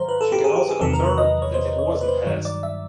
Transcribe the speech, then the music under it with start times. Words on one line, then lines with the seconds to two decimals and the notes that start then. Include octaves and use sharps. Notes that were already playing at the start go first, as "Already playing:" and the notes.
She can also confirm that it wasn't Hess.
Already playing: G#2 D#3 F#3 C5 F5 A#5
0.08 B4
0.21 A4
0.32 G4
0.44 G#4
0.56 G4
0.69 G#4
0.81 E2 C3 D#3 F#3 A4
0.93 A#4
1.05 B4
1.18 D#5
1.42 C#5
1.54 C5
1.66 C#5
1.78 C#5
1.90 D5
2.01 B4
2.08 C5
2.26 G2 D#3 F#3 C#5
2.45 D5
2.63 E5